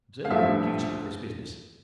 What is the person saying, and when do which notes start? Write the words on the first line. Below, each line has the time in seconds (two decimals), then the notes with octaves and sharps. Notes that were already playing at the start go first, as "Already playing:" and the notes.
Observe the beauty of this business.
0.25 F5
0.30 A1 G2 F3 A3 E5